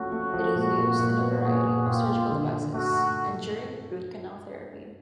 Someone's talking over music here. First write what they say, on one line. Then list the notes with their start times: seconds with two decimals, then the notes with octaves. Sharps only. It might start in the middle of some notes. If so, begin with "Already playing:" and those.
It is used in a variety of surgical devices and during root canal therapy.
Already playing: F3 A3 C#4 F#4
0.12 A3
0.34 F3
0.56 A#2
0.78 A#2
0.99 A#2
1.21 B3
1.43 A#2 F#4 G#4
1.65 A#2
1.87 A#2 F4 G4
2.09 A#2
2.31 D3
2.53 D3
2.74 A3 F#4